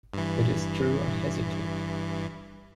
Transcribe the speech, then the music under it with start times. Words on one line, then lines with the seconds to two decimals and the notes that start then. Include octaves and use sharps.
It is true I hesitate.
0.14 G2 E3